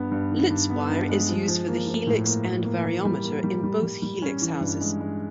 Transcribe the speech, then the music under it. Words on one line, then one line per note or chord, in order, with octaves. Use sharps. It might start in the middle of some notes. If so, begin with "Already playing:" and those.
Litz wire is used for the helix and variometer in both helix houses.
Already playing: G2 B3
G2
D#3
G2
B3
G2
G#3
F3
F3
A#3
F3
A2
A#3
A#3
A#3
E3
G3
A#3
G3
G3
G3
G3
C#4
E3
G2
G#3
G#3